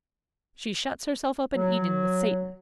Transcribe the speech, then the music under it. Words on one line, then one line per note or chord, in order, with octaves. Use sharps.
She shuts herself up in Eden with Satan.
F#3